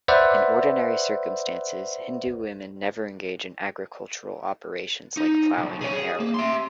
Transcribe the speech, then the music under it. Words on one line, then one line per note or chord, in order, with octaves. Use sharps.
In ordinary circumstances Hindu women never engage in agricultural operations like ploughing and harrowing.
B4 C5 D5 E5 F#5
D#4
B1
G#4 C#5
G#4
A#3
E5 C6